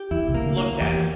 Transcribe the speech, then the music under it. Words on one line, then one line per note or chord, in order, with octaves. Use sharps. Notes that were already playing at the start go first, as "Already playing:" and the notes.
looked at it.
Already playing: G4
E2 E4
C2 C3
A#3
D2 D3
A#3
E2 E3 G4